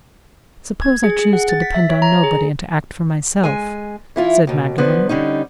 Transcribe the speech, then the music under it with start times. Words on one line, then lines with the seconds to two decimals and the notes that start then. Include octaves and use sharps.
"Suppose I choose to depend on nobody, and to act for myself?" said Magdalen.
0.82 G#6
1.04 G#4
1.19 G#4
1.33 F#5
1.49 A6
1.62 B6
1.74 E5
1.89 C#5
2.02 A#5
2.24 G#4
3.43 G#3 G#5
4.16 E3 E4 F4
4.47 D#2 B2
4.78 D3 F3 B3
5.09 D3 G3 C#4 D#4